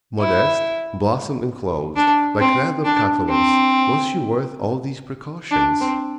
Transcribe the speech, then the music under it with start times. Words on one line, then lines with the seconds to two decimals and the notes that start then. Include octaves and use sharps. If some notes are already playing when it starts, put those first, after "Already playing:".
Modeste,--blossom enclosed, like that of Catullus,--was she worth all these precautions?
0.19 E4
1.96 D4
2.40 C4
2.85 D4
3.29 C4
5.51 D4
5.81 C4